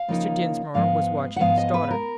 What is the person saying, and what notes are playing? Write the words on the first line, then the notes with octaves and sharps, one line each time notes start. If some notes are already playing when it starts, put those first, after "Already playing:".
Mr. Dinsmore was watching his daughter.
Already playing: F5
C#3 F3 A#3 D#4
G#2 F3 G#3 B3 F5
F#5
G#2 F3 G#3 B3 F5
D#5
B4
A#4